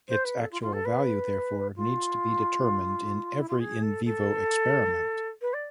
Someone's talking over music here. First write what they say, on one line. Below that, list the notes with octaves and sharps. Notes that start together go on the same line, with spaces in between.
Its actual value therefore needs to be determined in every in vivo experiment.
C5
B4
A4
F4
F4
A4
B4
F4
E4
F4
G#4
A4
A4
B4
D5